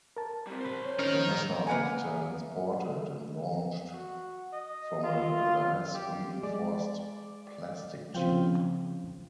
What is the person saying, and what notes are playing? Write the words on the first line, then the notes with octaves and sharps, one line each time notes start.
The missile is transported and launched from a glass-reinforced plastic tube.
A#4 A5
G3 C4
C5 B5
C#5
C#4 D#4 A#4 F6
G6
A#3 B4 F#5 G#5
F#4
D#5
F4
G4
G#3 D5
C#3 F3 C4 F4 G5